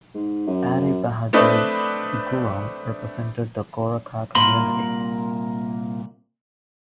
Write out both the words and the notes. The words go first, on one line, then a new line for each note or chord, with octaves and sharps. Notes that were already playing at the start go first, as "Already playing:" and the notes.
Ari Bahadur Gurung represented the Gorkha Community.
G#2
F#2
A3 C4 D4 B4 D#5
C2 A#2 A#3 A#4 B5 C6